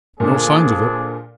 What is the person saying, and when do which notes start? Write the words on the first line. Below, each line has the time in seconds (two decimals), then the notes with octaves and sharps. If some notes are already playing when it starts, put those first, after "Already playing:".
"No signs of it."
0.20 A#2 D3 F3 D4 G#4